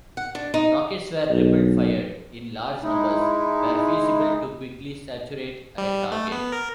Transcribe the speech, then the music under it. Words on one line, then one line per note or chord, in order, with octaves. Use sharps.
Rockets were ripple-fired in large numbers where feasible to quickly saturate a target.
F#5
D4
D#4
B1
G#3 D#4 E4
G3
A3
B3
A#4